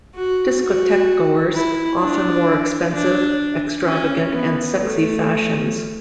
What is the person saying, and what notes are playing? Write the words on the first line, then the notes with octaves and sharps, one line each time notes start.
Discotheque-goers often wore expensive, extravagant and sexy fashions.
F#4
F#4
E4
D4
D4
C#4
B3
A3